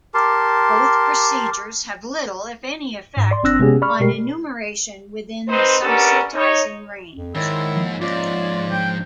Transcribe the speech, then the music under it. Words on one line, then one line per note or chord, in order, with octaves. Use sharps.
Both procedures have little, if any, effect on enumeration within the subitizing range.
G4 A#4 A5 C6
G#2
D5 C6
G1 C4 D4 E6 F#6 A#6
C3 G#3 B3 C#4 G4 G#4
D5 B5 C#6 F6
B2 G#3 G4 A#4 C7
C4 D#4 B4 C5
B3 C#4 D4 G4 A4 A#4
D#4 C#5
F2
G#2 D#3 E4 C5 C#5
F3 A#3
G#2 C#4 F4 D5
F3 D4 G5